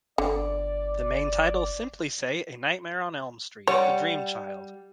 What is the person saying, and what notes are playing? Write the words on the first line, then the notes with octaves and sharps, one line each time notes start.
The main titles simply say "A Nightmare on Elm Street: The Dream Child".
G1 D3 D5
G3 C#5 F#5